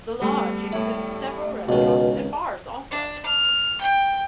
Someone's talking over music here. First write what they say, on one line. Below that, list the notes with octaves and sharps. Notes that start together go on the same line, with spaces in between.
The Lodge includes several restaurants and bars also.
G3 A3 B3
A2 E4
C#2 B2 D#3
D4
F6
G5